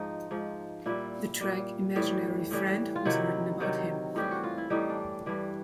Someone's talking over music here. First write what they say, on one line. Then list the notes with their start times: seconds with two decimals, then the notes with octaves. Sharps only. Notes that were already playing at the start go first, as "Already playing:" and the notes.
The track, "Imaginary Friend", was written about him.
Already playing: G#2 F3 D#4
0.31 G#2 F3
0.86 A#2 G3 E4
1.41 A#2 G3
1.96 A2 E3 G3
2.51 A2 E3 G3
2.96 F4
3.05 C3 D#3 F#3 E4
3.60 C3 D#3 F#3
4.16 A2 E3 G3 G4
4.31 F#4
4.44 F4
4.58 E4
4.70 A2 E3 G3 D#4
4.90 D4
5.26 G2 E3 G3